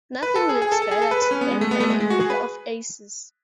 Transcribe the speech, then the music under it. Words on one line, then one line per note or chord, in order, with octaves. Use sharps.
Nothing looks better to them than a pair of aces.
B4
A4
G#4
G#4
A4
A4
G#4
A4
B4
B4
C#4
B3
G#3
A3
B3
A3
G#3
G#3
F#4
G#4
B4